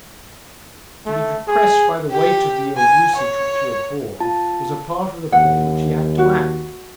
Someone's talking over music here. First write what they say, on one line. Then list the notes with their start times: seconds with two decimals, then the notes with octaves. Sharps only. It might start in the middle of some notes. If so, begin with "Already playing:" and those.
To be depressed by the weight of the ill-usage which he had borne was a part of the play which he had to act.
1.06 A3
1.48 G#4
2.11 G4
2.77 G#5
3.16 C#5
4.20 F4 A5
5.32 D#2 F#5
6.18 F#4